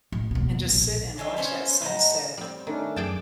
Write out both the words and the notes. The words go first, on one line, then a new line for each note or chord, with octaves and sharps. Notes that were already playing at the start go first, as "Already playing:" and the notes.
and just sit and watch that sunset
A1
D#2 B2
A#1
F#3 G#3 D4 E5
B3 C#4 C5 C#5
A2 D#4 F#5 A#5
G3 C4
D#3 A3 C#4 D4
F#2 G#4 G5 A5 D6